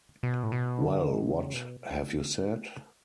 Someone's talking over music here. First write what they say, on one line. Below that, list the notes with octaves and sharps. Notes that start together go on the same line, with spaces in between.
Well what have you said?
B2
A2
B2
D3
G#3
C#3
B2